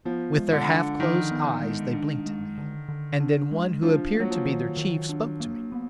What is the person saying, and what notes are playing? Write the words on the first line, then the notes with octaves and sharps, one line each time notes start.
With their half-closed eyes they blinked at me, and then one who appeared to be their chief spoke to me.
F3 B3
G#3
D3
D4
D#3 F3
B3
G#3
D4
G#3
D3
D3
D4
G#3
F3 D4
A#3
F#3
F3
D#3
D#3
D4
A#3
B3